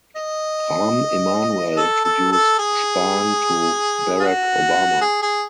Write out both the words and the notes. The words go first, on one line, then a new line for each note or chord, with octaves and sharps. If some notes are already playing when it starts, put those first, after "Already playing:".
Rahm Emanuel introduced Spahn to Barack Obama.
D#5
A4
A4
A4
G#4
F#4
G#4
G#4